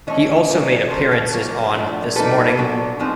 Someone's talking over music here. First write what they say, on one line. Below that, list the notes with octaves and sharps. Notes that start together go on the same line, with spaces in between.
He also made appearances on "This Morning".
E3 A3 C#4 C#5 D#5
D#3 G3 A#3 C#4
F3 A3 C#4 A#4 C5
A4 B4
A#2 F#3 A#3
A2 F3 A3 D4
A#2 G3 A#3 D#4 A4 B4
A#2 F#3 B3 D4
F3 G#3 C4 D#4